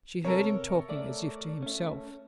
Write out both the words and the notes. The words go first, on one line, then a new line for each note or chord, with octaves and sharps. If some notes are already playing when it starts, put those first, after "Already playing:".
She heard him talking, as if to himself.
C3 A4 A#4 C#5
A3 D5
A3 C#4